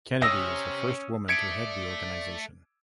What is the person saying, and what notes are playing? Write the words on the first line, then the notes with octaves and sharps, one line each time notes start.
Kennedy is the first woman to head the organization.
C3 C#4 D#6 E6 A#6
A4 D5 E5 G#6 C#7 D7